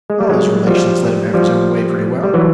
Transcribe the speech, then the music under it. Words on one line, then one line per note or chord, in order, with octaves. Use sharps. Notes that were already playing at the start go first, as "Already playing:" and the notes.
All his relations let him have his own way pretty well.
G#3
G3
F#3 G#3
F3 G3
F3 G3
G3
E3 F#3